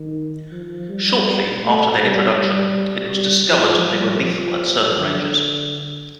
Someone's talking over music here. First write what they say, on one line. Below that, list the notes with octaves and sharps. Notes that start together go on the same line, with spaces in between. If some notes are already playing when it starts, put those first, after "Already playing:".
Shortly after their introduction it was discovered they were lethal at certain ranges.
Already playing: D#3
F3
G3
A3
G3
G3
G3
F3
G3
F3
D3